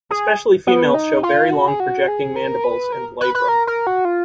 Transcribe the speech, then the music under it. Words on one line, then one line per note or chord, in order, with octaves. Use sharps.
Especially females show very long projecting mandibles and labrum.
G#4
B3
D#4
F4
F#4
G#4
F#4
G#4
A#4
B4
A#4
B4
B4
A#4
A#4
F#4
F4